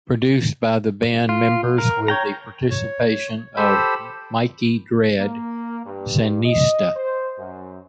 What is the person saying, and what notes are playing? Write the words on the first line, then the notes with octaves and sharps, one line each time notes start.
Produced by the band members with the participation of Mikey Dread, Sandinista!
F4
A#4
C#5 G5 A#5
C#5
G4 A4 C5 B5 E6
A#3
G2
D#5
C5
F#2